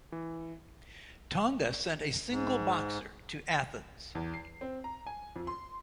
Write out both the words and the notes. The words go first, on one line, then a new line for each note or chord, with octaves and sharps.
Tonga sent a single boxer to Athens.
E3
G#2
E2
C7
C4
A#5
G#5
F2
C6